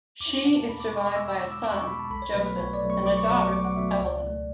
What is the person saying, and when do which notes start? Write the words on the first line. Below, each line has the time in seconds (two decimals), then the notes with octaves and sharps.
She is survived by a son, Joseph, and a daughter, Evelyn.
0.20 E2 D6
0.45 B2 G#3 F#5
0.57 A5
0.69 E2 B5
0.80 D6
0.92 B2 G#3 C#6
1.04 D6
1.15 E2 E6
1.28 E6
1.39 B2 G#3 D6
1.52 E6
1.63 E2 D6
1.75 C#6
1.87 B2 G#3 B5
2.00 A5
2.10 B1 B5
2.22 C#5
2.34 B2 F#3 A3 B4
2.46 B4
2.58 B1 C#5
2.73 D5
2.82 B2 F#3 A3
2.90 C#6
3.06 B1 D6
3.17 C#6
3.30 B2 F#3 A3 C#6
3.41 D6
3.53 B1 D6
3.65 F#5
3.76 B2 F#3 A3 E5
3.88 E5
4.00 C#2 D5
4.24 B2 A3